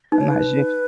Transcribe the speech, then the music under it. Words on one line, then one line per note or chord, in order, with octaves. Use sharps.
I'm not sure
D#4 B4
C#5
B4